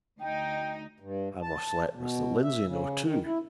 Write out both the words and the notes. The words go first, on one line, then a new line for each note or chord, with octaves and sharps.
I must let Mr. Lindsey know, too.
D2 D#4 G5
G2
A5
B2
E5
C#3
D#3
E4